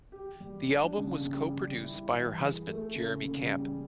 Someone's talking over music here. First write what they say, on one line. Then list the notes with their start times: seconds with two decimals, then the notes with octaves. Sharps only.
The album was co-produced by her husband Jeremy Camp.
0.12 G4
0.40 G3
0.70 D4
0.98 C#3
1.26 G3
1.54 G3
1.83 E4
2.11 E3
2.38 G#4
2.67 A3
2.95 C#3
3.24 C#3
3.52 G3